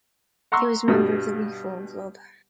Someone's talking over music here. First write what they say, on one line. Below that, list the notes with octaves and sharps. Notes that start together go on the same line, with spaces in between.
He was a member of the Reform Club.
F#5 A#5 C6 C#6 E6
G2 B2 G3